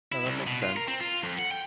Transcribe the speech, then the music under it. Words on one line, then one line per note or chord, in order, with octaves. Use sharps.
No, that makes sense.
E4
C2
B2
F4
A#4
C4
F4
F2
F#5
G5